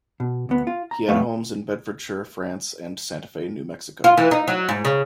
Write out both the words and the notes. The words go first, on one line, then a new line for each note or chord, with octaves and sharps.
He had homes in Bedfordshire, France, and Santa Fe, New Mexico.
B2
D2 B3
F4
A#5
F2 G3 A3 B3 F5
F4
E3
D#4
F#3
G#2
C#3